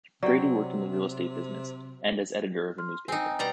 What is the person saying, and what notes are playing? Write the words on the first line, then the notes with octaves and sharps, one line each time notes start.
Brady worked in the real estate business, and as editor of a newspaper.
C3 F#3 D5 G5
C6 F6
C4 D#4 G#5
B2 G3 A#5 A6